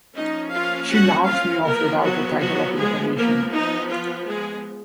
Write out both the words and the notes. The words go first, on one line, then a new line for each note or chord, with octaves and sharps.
She laughed me off without a tittle of information.
F3 A#3 C#4 D#4 D#5
F4 F5
F#4 F#5
F4 F5
F3 A#3 B3 A#4
F#3 F#4
F#3 F#4
G#3 G#4
F3 A#3 B3 A#4
D#4
F4
G#3 G#4